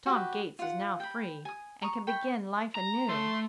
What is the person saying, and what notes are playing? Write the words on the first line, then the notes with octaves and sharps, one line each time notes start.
"Tom Gates is now free, and can begin life anew."
F#4 G4 B4
F4 F#5
G5 B5
G#5 D#6
A#5 C#6 D#6
G5 B5 C#6
A#5
A3 C6